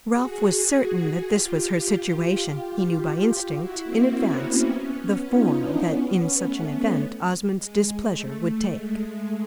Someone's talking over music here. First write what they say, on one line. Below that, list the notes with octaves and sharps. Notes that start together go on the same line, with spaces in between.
Ralph was certain that this was her situation; he knew by instinct, in advance, the form that in such an event Osmond's displeasure would take.
F#4 G#4
F4 G4
E4 F#4
A#3 C4
B3 C#4
D#4 F4
D4 E4
B3 C#4
A3
G#3
A3
G#3
A3